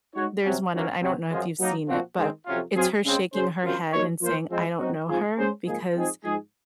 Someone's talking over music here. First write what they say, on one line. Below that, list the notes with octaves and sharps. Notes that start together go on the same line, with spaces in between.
there's one- and I don't know if you've seen it- but it's her shaking her head and saying, "I don't know her," because
G#3 D#4 F#4 C#5
C3 F#3 C#4
F#2 D#3 F#3 A#3 C#4
C3 F#3 C4
F#2 F3 G#3
F#3 A#3 D#4
A#2 F3 C4 F#4
D#3 G#3 C4
F2 C3 F#3 C#4 F4
F#3 C4 F4 G#4
C#3 G#3 C4
C#3 F#3 C#4 G#4 C5
F#2 F3 C4 F4 C5
F#3 A#3 D#4 A#4 C#5
F3 A#3 F4 C5
F3 G#3 C4
F#3 C4 D#4 F#4
G#2 F3 C4 F4 G#4
G#3 C#4 G#4 C5
G#2 F3 A#3 D#4 G#4
G#2 F3 C4 D#4 G#4
G#2 F3 G#3 D#4 G#4